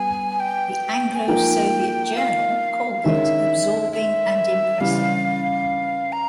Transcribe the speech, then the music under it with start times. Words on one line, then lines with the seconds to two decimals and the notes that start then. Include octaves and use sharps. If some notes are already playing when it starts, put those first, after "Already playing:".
The Anglo-Soviet Journal called it "absorbing and impressive".
Already playing: G3 B3 G#5
0.40 G5
1.16 G#5
1.28 F3 A#3 D#4 G5
2.16 F5
3.04 D#3 G#3 C#4 E5
3.92 E5
4.80 C#3 E3 G3 F5
6.12 A#5